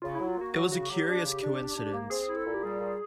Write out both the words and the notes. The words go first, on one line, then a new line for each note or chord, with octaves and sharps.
It was a curious coincidence.
C#3 F4
F#3 E4
F4
A#3 F#4
F#3 F#4
C#3 F#4
F#3 G4
D4
C#3
D4
D4
D4
A#3
C4 G#4
E4
A4
A#2
G4
G3 G#4
A#2